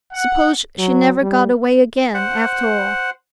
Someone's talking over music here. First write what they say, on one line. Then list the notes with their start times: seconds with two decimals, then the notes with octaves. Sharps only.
Suppose she never got away again, after all?
0.13 F#5
0.78 F#3
1.21 G3
2.14 C5 F#5